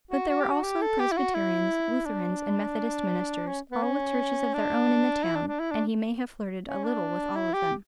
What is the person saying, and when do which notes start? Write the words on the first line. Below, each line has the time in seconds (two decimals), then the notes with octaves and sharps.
But there were also Presbyterians, Lutherans, and Methodist ministers, all with churches of their own in the town, and he may have flirted a little with all of them.
0.11 F#4
0.28 F#4
0.41 G4
0.52 F#4
0.64 G4
0.82 A4
0.99 G4
1.12 E4
1.17 F#4
1.35 E4
2.06 D4
3.47 C#4
3.71 B3
3.83 C#4
4.54 D4
5.24 E4
5.36 D4
5.48 D4
5.60 E4
5.71 D4
6.66 C#4
6.84 D4
7.36 E4
7.54 G4